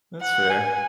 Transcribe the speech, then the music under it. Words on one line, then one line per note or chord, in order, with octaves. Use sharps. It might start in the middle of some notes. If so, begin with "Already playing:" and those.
That's fair.
F#5
G#5